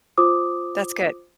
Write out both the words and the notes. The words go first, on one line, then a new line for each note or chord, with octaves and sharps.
That's good.
F4 C5 D6 D#6